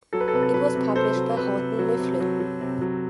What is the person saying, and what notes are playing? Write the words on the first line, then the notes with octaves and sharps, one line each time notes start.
It was published by Houghton Mifflin.
F#3 A4
B4
A4
C3 B4
A4
F#3 B4
C3
C3 A4 C5
F#3
C3 B4
C3
F#3
C3
F#3
F#3
C3
F#3